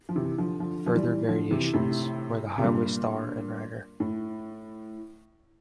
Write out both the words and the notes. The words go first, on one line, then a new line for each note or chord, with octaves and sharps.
Further variations, where the Highway Star, and Rider.
F3
C3 E3
D3 F3
D3 F3
F3
E3 G3
D3 F3
C3 E3
A2 C3
C3
G2 A#2
A2